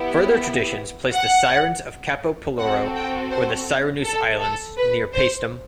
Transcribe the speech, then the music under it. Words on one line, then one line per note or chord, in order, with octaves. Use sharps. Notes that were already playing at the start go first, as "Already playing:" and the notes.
Further traditions place the sirens on Capo Peloro or the Sirenuse islands near Paestum.
Already playing: B3 E4 G4
F#5
C4 F#4 A4 F#5
G5
C5
A4
A4
B4
C5